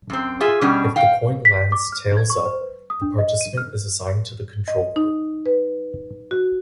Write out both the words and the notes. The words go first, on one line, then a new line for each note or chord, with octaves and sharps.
If the coin lands tails-up, the participant is assigned to the Control Group.
F#2 C4
F4 G#4 E5
B2 G3 C#4 D4
F5 G5
B6
D6
F6
G#6
C#6
C5
B4
D#6
D4
D#5
D#7
F6
D#5
D#4
B4
F#4